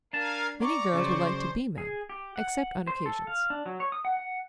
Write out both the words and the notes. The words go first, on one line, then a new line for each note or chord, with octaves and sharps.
Many girls would like to be men--except on occasions.
D4 A#4 F5 G#5 A5
D5 A#5 C#6
C#3 F#3 C5
G#4
G4
F#5
C5
A4
F5
D4
F#3
C#5
D#6
F#5
F#5